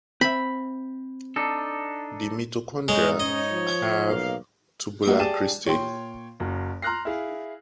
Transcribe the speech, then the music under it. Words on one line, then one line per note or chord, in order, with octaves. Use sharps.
The mitochondria have tubular cristae.
C4 E5 B5
D4 D#4 A4
G#2 G#3 D#4 C#5
C#4 C#5 D#5
F3
B1 A#3 F5
G3 A3 A#3 F#4 D#5
G4 G#4 D5 A5 D#7 E7
A#2 C#5 G5 C6
F#1 F#2
A#5 C6 F6 F#6 A#6 C7
E4 G#4 F5